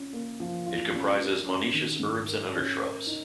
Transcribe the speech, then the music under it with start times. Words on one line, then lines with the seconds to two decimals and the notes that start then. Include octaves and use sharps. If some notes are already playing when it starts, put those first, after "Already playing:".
It comprises monoecious herbs or undershrubs.
Already playing: C#4 F4
0.13 A#3
0.40 F3
0.66 F4
0.93 C#4
1.20 A#4
1.47 C#4
1.74 D#3
2.00 G#2
2.27 A#4
2.54 C#4
2.80 A#4
3.06 D#4